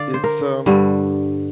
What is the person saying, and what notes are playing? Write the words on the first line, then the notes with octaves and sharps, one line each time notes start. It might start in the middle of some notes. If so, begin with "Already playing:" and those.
it's, um,
Already playing: D3 D5 F5
C5
A#4
G2 D3 G3